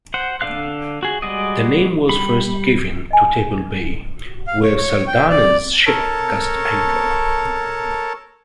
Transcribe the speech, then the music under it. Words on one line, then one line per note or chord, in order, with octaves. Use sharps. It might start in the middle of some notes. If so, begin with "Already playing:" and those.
The name was first given to Table Bay, where Saldanha's ship cast anchor.
C5 F#5
D3 D4 A4 F5 F#6
F#4 G#4
G3 G#3 F#4 D5 D#5
G3 B5
D#5 G#5
F5
C#5
C#5
G5
D5
A4 A#4 C#5 A5